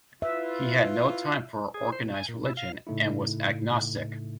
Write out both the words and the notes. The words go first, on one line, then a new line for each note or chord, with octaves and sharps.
He had no time for organised religion, and was agnostic.
E4 F4 B4 E5
G#4
C5
B2
G#5
A#2
E4
F5
A2 C#3 A3 D#4 E4